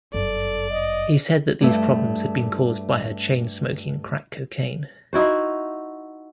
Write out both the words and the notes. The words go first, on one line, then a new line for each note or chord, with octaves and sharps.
He said that these problems had been caused by her chain smoking crack cocaine.
G1 F#2 A4 D5
D#5
G2 A3 E5
D#4 E4 F#4 C5